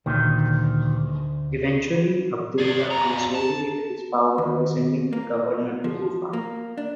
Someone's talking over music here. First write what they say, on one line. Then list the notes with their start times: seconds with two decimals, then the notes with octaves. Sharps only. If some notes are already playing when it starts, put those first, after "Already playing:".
Eventually Abdullah consolidated his power by sending a governor to Kufa.
0.06 D2 A#2 D#3
2.58 G#4 D5
2.90 F2 A#5
3.35 A5
4.38 D#2
5.13 A#3
5.84 F3
6.33 A#3
6.77 D4